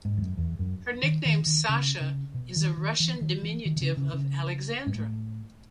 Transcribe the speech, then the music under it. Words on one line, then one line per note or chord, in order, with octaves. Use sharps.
Her nickname "Sasha" is a Russian diminutive of "Alexandra".
G#2
E2
F#2
E2
F#2
D#3
D#3
D#3
C#3
C#3
B2
D#3
D#3
E3
D#3
E3
D#3
D#3
C#3
C#3
C#3
G#2
A2